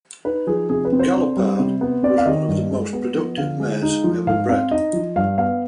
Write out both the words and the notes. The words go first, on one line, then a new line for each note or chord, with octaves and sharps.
Galopade was one of the most productive mares ever bred.
D#4 B4
F3 G#4
C3 G#4
B4
C4
C5
D4
G3
C3
B3
C4 D5
F5
D#3 D#5
G2
G#3
B3
F3
D3 F5
G#3
D#4
F3
G#2 F5
C4 F5
D#4 D#5
F3
G2 F5
B3 F5